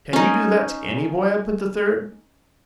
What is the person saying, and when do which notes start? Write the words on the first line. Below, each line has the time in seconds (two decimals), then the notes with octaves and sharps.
"Can you do that to any boy up at the Third?"
0.13 C#4 D#4